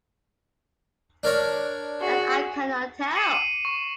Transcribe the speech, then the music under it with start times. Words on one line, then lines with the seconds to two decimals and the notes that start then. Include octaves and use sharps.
That I cannot tell.
1.23 D4 A#4 C#5
2.00 F#4 G#4
3.15 D6 C7 C#7 D#7 F#7
3.35 D#7
3.65 C#6